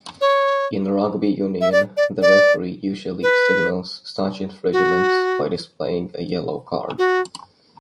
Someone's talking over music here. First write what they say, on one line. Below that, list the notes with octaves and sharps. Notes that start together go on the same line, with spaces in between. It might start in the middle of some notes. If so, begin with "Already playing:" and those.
In rugby union, the referee usually signals such infringements by displaying a yellow card.
C#5
E5
D5
D5
D5
B4
F#4
F#4